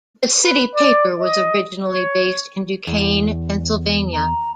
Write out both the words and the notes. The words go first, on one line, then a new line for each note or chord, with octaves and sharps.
The "City Paper" was originally based in Duquesne, Pennsylvania.
B4
D5
D#5
C#5
E2
A#5